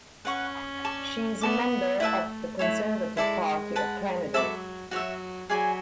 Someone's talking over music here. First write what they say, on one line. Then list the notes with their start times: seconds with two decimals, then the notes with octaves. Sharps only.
She is a member of the Conservative Party of Canada.
0.25 C#4 B4 F#5 C#6
0.85 D5 A5 C#6
1.41 B3 D5 A5 D6
2.00 A3 E4 B4 E5 A5
2.59 A3 E4 A4 C#5
3.17 G#3 E4 A4 D5 A5
3.76 B4 F#5 A5
4.34 F#3 A4 E5 B5 D6
4.91 F#3 F#4 C#5 E5
5.50 F#3 G#4 D5 G#5 B5